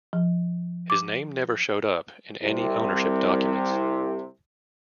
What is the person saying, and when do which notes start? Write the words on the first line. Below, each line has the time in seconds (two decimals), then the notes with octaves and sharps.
His name never showed up in any ownership documents.
0.13 F3
0.90 D6
2.42 C2 C3